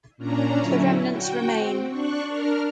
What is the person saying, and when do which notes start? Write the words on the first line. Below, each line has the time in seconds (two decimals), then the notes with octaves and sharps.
The remnants remain.
0.17 A#2 C#4 D4 A#5
0.57 D3 F#3 C#4 E4
1.08 F#4 G5
1.53 C4
1.89 D4 C#6 F#6
2.28 D4 A#4 F6